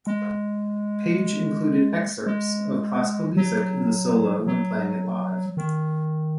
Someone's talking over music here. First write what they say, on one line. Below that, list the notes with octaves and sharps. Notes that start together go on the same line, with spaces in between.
Page included excerpts of classical music in the solo when playing it live.
G#3
G#3
F#3
F#3
D#3